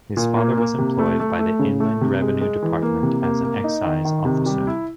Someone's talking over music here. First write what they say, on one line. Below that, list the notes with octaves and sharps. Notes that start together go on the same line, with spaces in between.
His father was employed by the Inland Revenue Department as an excise officer.
A#2
A#3
A#3
C3
A3
A3
A3
C#3
A3
C3
G#3
G#3
E3
A#3
C3
A#3
A#3
D#4
D#3
D#3
C3
G3
E4